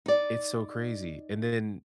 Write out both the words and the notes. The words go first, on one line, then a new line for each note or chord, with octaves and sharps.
It's so crazy, and then
D#4 D5